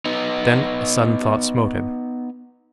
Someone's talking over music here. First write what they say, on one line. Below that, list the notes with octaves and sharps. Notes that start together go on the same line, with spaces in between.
Then a sudden thought smote him.
B3 D#4